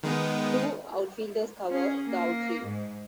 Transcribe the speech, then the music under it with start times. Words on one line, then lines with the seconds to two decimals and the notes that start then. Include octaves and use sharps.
Two "outfielders" cover the outfield.
0.03 D#3 G#3 B3
1.71 C#4 G#4
2.08 A#3
2.65 G#2